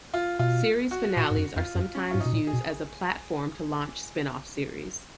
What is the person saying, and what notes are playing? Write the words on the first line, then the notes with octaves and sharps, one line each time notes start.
Series finales are sometimes used as a platform to launch spinoff series.
F4
B2 F4
F#4
A#2 F#4
G#2
F#2
F2 F4
F#2
C#4
G#2 F4
D#4
B2
A#2
G#4
B2